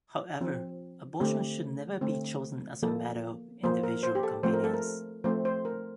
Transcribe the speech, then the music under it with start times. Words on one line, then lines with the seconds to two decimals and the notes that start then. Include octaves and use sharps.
However, abortion should never be chosen as a matter of "individual convenience".
0.41 F3 C4
1.20 D3 A3 C4 G4
2.01 D3 A3 C4
2.83 F3 A#3 A4
3.63 F3 A#3 C5
3.83 A#4
4.03 C5
4.15 G4
4.23 A4
4.43 F3 A3 C4 C5
4.54 A#4
4.64 A4
4.73 A#4
5.24 F3 A3 C4 C5
5.45 C5
5.65 A#4